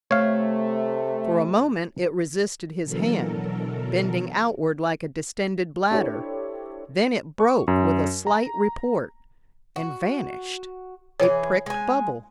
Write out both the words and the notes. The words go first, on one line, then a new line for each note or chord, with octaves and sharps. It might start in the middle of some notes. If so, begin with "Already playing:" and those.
For a moment it resisted his hand, bending outward like a distended bladder, then it broke with a slight report and vanished--a pricked bubble.
C3 A3 C#5 F5
B2 D3 E3 F#3 A4 A#4
D4 E4 G4 A4 C5 C#5
C#6
F#2
A#5
F#4
E3 G#4 C#5
G#3 G#5